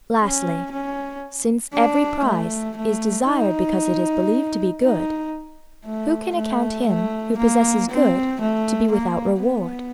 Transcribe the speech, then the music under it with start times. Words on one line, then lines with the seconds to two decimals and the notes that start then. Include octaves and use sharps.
Lastly, since every prize is desired because it is believed to be good, who can account him who possesses good to be without reward?
0.20 C#4
0.72 C#4
1.74 D4
2.25 A3
2.77 A3
3.28 D#4
4.82 D#4
5.85 A3
6.35 A3
6.87 A3
7.38 A#3
7.90 C4
8.41 A3
8.92 A#3
9.42 B3